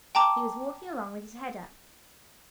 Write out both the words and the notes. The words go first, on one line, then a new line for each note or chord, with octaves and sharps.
He was walking along with his head up.
G5 A5 A#5 D6